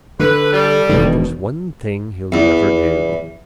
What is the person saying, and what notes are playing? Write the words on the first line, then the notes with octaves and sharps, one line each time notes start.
But there's one thing he'll never do.
D3 A4 B4
G3
E1 B2 D#3
E2